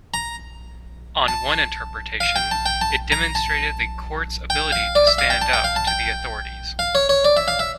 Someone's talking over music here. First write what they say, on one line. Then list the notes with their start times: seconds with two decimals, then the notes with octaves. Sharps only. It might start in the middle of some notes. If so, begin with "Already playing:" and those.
On one interpretation, it demonstrated the courts' ability to stand up to the authorities.
0.14 A#5
1.28 A5
2.20 F5
2.36 G5
2.51 A5
2.66 G5
2.81 A5
3.12 A#5
3.35 A5
4.50 G5
4.72 F5
4.95 D5
5.07 E5
5.18 F5
5.30 G5
5.42 A5
5.53 G5
5.64 F5
5.76 A5
5.87 G5
6.79 F5
6.95 C#5
7.09 C#5
7.25 D5
7.37 E5
7.48 F5
7.59 E5